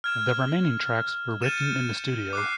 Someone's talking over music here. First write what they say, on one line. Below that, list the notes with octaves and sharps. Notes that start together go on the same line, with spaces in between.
The remaining tracks were written in the studio.
F6 G#6 E7
G7
F6 G6 A6 C#7 D#7 E7
D6 F#6 C7